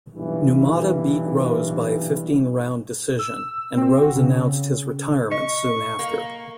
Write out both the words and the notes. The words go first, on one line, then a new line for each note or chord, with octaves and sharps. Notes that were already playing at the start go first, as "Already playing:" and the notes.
Numata beat Rose by a fifteen-round decision, and Rose announced his retirement soon after.
B1 G2 A#2 E3
E6
C4
F#4
C#3
D#5 C#6
A#3